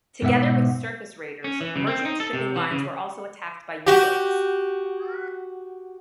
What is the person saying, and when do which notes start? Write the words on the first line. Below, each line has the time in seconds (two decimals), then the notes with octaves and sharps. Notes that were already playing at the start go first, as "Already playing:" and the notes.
Together with surface raiders, merchant shipping lines were also attacked by U-boats.
0.22 G#2 B2 E5 F#5
1.44 C#4
1.61 E3
1.76 C#3
1.87 C4
2.05 D#4
2.20 A4
2.33 C3
2.56 E3
2.71 C#3
3.86 F#4 G4